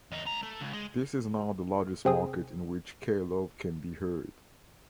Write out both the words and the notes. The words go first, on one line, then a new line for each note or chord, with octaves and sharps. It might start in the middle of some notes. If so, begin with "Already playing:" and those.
This is now the largest market in which K-Love can be heard.
E2 D#4
C#2 A#5
A3
C#2
G#3
C3 C4 G#4